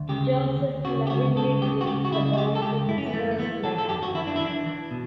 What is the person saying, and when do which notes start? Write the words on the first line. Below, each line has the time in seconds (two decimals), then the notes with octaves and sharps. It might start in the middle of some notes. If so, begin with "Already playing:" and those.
Josif lovingly brings the boy to his first climax.
Already playing: D2
0.09 C#3 G4
0.34 D2
0.60 D2
0.85 C#3 F#4
1.07 G4
1.10 C#2 F#4
1.36 C#3 A4
1.61 C#2 G4
1.81 F#4
1.86 C#3 G4
2.05 F#4
2.11 C#3 E4
2.33 F#4
2.37 C#2 G4
2.55 A4
2.62 C#2 G4
2.88 F#2 E4
2.98 C#4
3.06 B3
3.13 E3 A3
3.31 A3
3.38 E3 B3
3.64 E3 A4
3.78 A4
3.89 F#2 G4
4.03 F#4
4.14 E3 E4
4.27 D4
4.36 E4
4.40 E3 D4
4.66 E3
4.91 B2